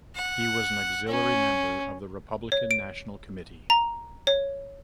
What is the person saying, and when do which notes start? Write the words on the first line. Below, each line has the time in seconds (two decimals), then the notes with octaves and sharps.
He was an auxiliary member of the Republican National Committee.
0.15 F#5
1.08 C#4
2.52 C#5
2.71 D7
3.70 A#5
4.27 C#5